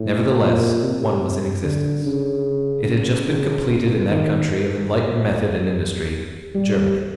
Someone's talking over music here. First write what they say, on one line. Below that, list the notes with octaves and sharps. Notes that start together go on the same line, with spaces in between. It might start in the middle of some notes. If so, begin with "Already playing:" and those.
Nevertheless one was in existence: it had just been completed in that country of enlightened method and industry--Germany.
Already playing: A2
A#2
C3
D3
C#3
C#3
B2
D#3
G3